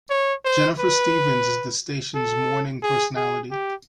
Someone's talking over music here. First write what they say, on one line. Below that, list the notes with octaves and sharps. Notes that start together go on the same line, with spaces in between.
Jennifer Stephens is the station's morning personality.
C#5
C5
B4
A4
G#4
G#4
G4